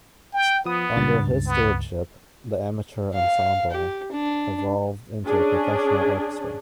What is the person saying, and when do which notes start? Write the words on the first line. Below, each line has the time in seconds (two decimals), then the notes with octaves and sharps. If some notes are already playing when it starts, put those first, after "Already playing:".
Under his stewardship, the amateur ensemble evolved into a professional orchestra.
0.33 G5
0.65 F3 B3 D#6
0.96 C#2 G2 A6
1.47 B3
3.14 F5
3.71 G4
4.12 D4
5.26 C#4 D4 G#4